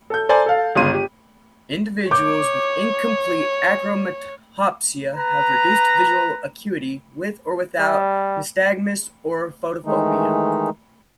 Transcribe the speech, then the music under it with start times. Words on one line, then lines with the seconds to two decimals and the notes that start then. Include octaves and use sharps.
Individuals with incomplete achromatopsia have reduced visual acuity with or without nystagmus or photophobia.
0.10 A4 G6
0.29 A4 C5 D5 G#5 A#5 A6
0.46 A4 F5
0.75 G1 C#2 F4 C6 D#7
0.94 G4
2.11 C#5 D6 G6
5.15 B4 A#5
7.79 G3
9.85 D#3 E3 G#3 A3 D#4